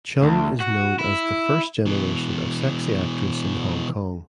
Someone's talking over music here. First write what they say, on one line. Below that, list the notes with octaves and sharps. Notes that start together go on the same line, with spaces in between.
Chun is known as the first generation of sexy actress in Hong Kong.
D2
F#4
E4
B2 E3